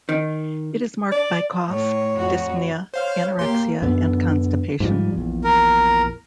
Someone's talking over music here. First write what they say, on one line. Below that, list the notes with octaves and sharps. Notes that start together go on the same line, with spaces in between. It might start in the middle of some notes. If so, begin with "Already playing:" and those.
It is marked by cough, dyspnea, anorexia and constipation.
D#3
D5
A2 C#5
F2 F#4
C5 C#5 F5 F6
A#3 G4 C6
F#2 D3 B3
G#2 F3 G3
A#1 E2
A#4